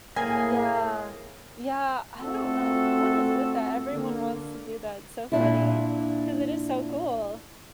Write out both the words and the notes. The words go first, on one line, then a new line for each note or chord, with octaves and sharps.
Yeah. Yeah, I don't know what is with that, everyone wants to do that, it's so funny, 'cause it is so cool.
A2 A#3 G#4 G#5
A3 C4 F4 F#4 A4
D3 A#3
A#2 D4 E4